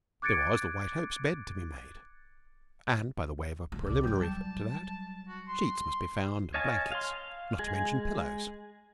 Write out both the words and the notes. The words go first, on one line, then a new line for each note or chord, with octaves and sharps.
There was the White Hope's bed to be made, and, by the way of a preliminary to that, sheets must be found and blankets, not to mention pillows.
D6 F#6 G#6 A6 C#7 D7
E3 F#3
C2 D5
F#3 G3 G5
A5
F#4
C6
C#5 D#5 F5 G#5 A5
F5 C6
G#3 G#4